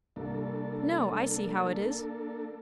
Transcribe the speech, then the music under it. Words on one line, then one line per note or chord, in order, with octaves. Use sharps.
No; I see how it is.
C2 A#3 D4 A4